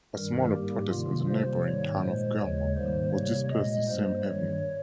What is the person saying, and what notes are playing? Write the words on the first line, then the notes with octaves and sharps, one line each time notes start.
A smaller protest in the neighboring town of Guelma was dispersed the same evening.
G2 D#3 G3 A#4
G#2 G3 A#3 G4
C3 D#3 A#3 F4
C3 G3 A#3 C5
G#2 D#3 G3 A#3 C#5
A#2 G#3 C5
D#2 C#3 G#3 C#5
G#2 D#3 G3 A#3 C5
C3 G3 A#3 C#5
A#2 G#3 D#5
G2 G3 A#3 C5
G2 D#3 G3 C#5